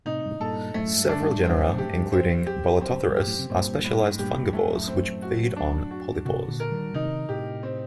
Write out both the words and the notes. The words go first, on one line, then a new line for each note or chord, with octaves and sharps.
Several genera, including "Bolitotherus", are specialized fungivores which feed on polypores.
A2 C3 D#4
G2
A2
G2 A#2 A4
F#2 A2 A3
G2
D4
G2
G2 C4
F#2 A2
G4
G2
F#2 C4
G4
F#2 C4
G2
G4
F#2 A2
C3
G2 A#2 C4
A2
G2 A#2 G4
G2
A3
F#2 A2
C4
F#4
D4
F#4
A2 C3 F#4
A#2 D3
A#4
D#3 G3
C3 D#3 D#4
A2 C3 G4
C4